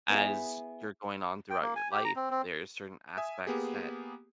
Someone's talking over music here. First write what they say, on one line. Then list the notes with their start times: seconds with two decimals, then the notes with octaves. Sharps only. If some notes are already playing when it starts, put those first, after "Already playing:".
as you're going on throughout your life, there are certain aspects that
0.10 B3 E4 G#4
1.50 G5
1.62 A#3
1.76 G#5
1.91 G4
2.05 A#5
2.16 C4
2.30 C4
3.18 E5 G#5 D#6
3.47 A#3 B3 G4 G#4